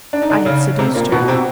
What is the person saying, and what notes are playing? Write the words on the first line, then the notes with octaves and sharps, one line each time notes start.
I had seduced her.
D4
D#4
D3 D4
C#3 C#4
C3 C4
A#2 A#3
B2 B3
C3 C4